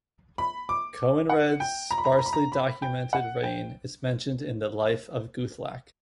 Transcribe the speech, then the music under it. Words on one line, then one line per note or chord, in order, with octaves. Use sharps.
Coenred's sparsely documented reign is mentioned in the "Life of Guthlac".
B5
D6
F#5
G5
A#5
B5
A#5
B5
A#5
B5
A#5
B5
G5
F#5
G5